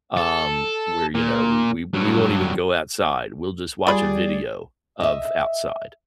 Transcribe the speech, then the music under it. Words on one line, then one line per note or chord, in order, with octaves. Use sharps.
um, where, you know, we we we won't even go outside, we'll just watch a video of outside.
A4
A#2
G2 F#3
G3 F4 G#4 D5 B5
D#5 E5